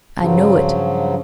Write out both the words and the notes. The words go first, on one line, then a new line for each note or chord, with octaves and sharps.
I know it.
G2 C#3 F3 F#3